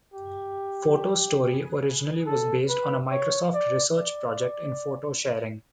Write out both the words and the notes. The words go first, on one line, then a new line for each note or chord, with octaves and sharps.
Photo Story originally was based on a Microsoft Research project in photo sharing.
G4
A4
B4
C#5
D5
D5